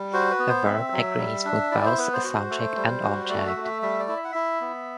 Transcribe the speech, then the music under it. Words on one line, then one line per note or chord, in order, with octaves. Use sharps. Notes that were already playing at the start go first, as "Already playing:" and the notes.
The verb agrees with both subject and object.
Already playing: G3
F#4 C5
B4
B3
C5
C4 E5
F#3
G3
D4
E4 D5
C5
B3 B4
C5
F#4
A3
G3
F#4
C5
A3 D5
E5
A3
E5
G3 E5
D5
E4
E5
F#5
E4 E5
B3